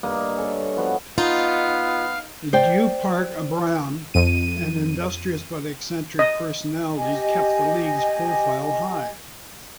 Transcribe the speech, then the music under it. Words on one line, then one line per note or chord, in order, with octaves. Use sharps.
Du Parc Braham, an industrious but eccentric personality, kept the league's profile high.
G2 A#3 D#5 A#5
C#4 A4
F3 B3 F#4 D#5
B3 D#4 F4 F5
C5 D5 G5
F2 D#7
D#5
G4 D#5 G#5